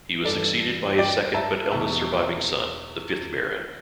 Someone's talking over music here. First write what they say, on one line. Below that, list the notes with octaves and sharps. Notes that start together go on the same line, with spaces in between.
He was succeeded by his second but eldest surviving son, the fifth Baron.
G2 E3 A4 D5
D5 G5
E5 A5
E2 B2 E5 A5